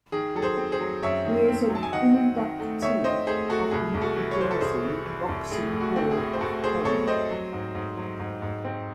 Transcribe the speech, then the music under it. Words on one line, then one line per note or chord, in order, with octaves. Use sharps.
He is an inductee of the New Jersey Boxing Hall of Fame.
D#3 G#4
F#3 A4
G#4 C5
C4
G#4 C5
F#3
F#2 C#5 E5
D#3
C4
F#3
A5
G#5
D#3 D#5 F#5
C4
D#3
A3
D#3 C#5 E5
C4 C5 D#5
A3 G#4 C5
A3 F#4 A4
C2 G#4
C2
F#4 A4
E3
C#5
E3 C5
A4
C2 G#4 C5
E3
E3
C2
A2 G#4
A2
F#4
C4
G#4
A2
C5
A2 F#4 A4
A2 G#4 C5
F#3 A4 C#5
C4 C5 D#5
F#3
G#2
G#2
F#3
G#2
G#2
C4